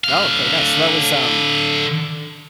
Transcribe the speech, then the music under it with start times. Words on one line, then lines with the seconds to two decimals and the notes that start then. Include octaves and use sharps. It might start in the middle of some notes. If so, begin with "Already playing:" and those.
Oh, okay, nice. So, that was, um,
0.04 D3 F5